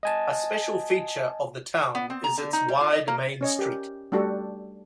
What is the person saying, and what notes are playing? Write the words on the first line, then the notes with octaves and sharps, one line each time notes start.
A special feature of the town is its wide main street.
D#5 G#5 A5
B3
C4
A#5
D3
D#4
G3
F4
D#5
A#3
C#4 C#5 D#5
G4 A#4
G3 A3 D4 F#4 G4 A4